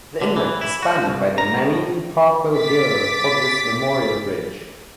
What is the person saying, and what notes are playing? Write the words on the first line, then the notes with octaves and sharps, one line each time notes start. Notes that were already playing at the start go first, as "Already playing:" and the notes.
The inlet is spanned by the Marine Parkway-Gil Hodges Memorial Bridge.
D3
E3
E4
F#4
C2
A#5
A2
D6 A6 B6